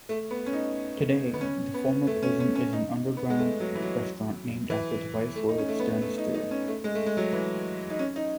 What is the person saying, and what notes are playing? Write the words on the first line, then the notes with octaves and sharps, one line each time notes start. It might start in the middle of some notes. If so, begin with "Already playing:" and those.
Today the former prison is an underground restaurant named after the viceroy Sten Sture.
A3
B3
C#4
D#4
B3
C#4
B3
A3
C#4
C#4
C#4
D#4
B3
G#3
A3
F#3
E3
F#3
E3
A3
D#4
C#4
A3
B3
A3
D#4
D#4
C#4
A3
G#3
A3
G#3
F#3
E3
D#4
C#4
D#4